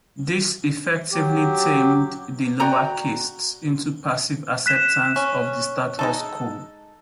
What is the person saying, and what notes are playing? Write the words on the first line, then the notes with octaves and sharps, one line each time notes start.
This effectively "tamed" the lower castes into passive acceptance of the status quo.
F#3 G4
F#4 D5 G5 A#5
F#6 B6 E7
C#4
G#3 D#4 A4